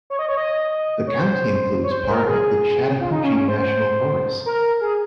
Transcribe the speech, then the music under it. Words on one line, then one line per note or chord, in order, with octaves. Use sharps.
The county includes part of Chattahoochee National Forest.
C#5
D#5
C#5
D#5
C#5
C5
C#5
C5
A#4
G#4
F4
D#4
C#4
C#4
C5
C5
A#4
G#4